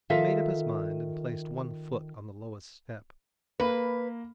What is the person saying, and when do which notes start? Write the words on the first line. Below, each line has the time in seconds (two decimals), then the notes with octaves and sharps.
He made up his mind, and placed one foot on the lowest step.
0.10 D#3 F4 A4 E5
3.60 A#3 B4